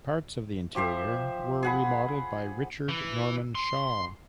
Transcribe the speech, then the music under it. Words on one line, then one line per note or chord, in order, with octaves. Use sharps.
Parts of the interior were remodelled by Richard Norman Shaw.
F3 G4 C5 E5
G#4 F#5 B5
E3
C6